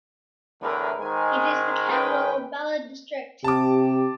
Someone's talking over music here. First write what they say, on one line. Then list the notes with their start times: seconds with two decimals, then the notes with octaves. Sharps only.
It is the capital of Balad District.
0.62 E2 A2 D3 A#4 B4
1.00 G#2 D#3 G#3 G#5
1.87 C#4 B4 G5
3.44 C3 G4 A5 D6